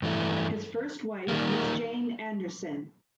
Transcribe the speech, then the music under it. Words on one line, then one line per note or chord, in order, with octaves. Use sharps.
His first wife was Jane Anderson.
G2 E3 A3
D#3 G3 A#3